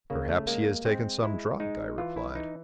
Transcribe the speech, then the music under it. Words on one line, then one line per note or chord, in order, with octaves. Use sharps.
"Perhaps he has taken some drug," I replied.
C#3 A#3
A3
G#3 A#3
G#3 C4
G#3 E4
G#3 D#4
E3 F4
E4
E3 D#4